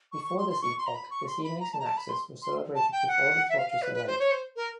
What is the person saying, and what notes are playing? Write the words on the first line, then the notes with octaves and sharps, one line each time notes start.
Before this epoch this evening "synaxis" was celebrated with all the torches alight.
C#6
C#6
C6
C6
C#6
C6
A#5
B5
C#6
C6
B5
A#5
A5
A#5
A5
B5
C6
C6
A5
G5
F#5
E5
F5
F5
B4
B4
C5
C#5
C5
A#4